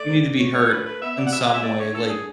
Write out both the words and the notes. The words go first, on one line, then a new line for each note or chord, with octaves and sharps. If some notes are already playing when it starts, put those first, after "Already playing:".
you need to be hurt in some way, like
Already playing: A3 D5
G#2
G#2
D2 C#5
A3 C#5
A4
D2 B4
A3 B4
B3 E5
B3 D5
F#5
B2 E5
F#5
G#3
E5
A3 D5
D3 C#5
D3 A4
G#4